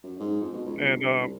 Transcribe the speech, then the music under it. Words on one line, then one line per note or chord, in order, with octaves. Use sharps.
and, uh,
F#2
G#2
F2
B2
C#2
G1
G2
C2